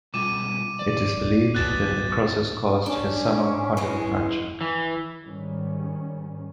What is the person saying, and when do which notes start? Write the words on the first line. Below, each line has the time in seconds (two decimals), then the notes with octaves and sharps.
It is believed the necrosis caused his summer condylar fracture.
0.14 B2 G3 F4 D6 D#7 E7
0.79 D5
1.55 D#4 F#4 B4 F#6 A6 E7
2.86 C#4 D4
3.77 E3 G#3
4.61 E3
5.23 G#2 D#3 G3 C#4